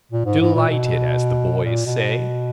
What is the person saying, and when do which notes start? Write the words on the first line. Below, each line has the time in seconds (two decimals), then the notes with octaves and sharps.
Delighted, as the boys say.
0.12 A#2
0.25 G#2
0.40 G#2
0.54 A#2
0.68 B2
1.65 A#2
1.86 B2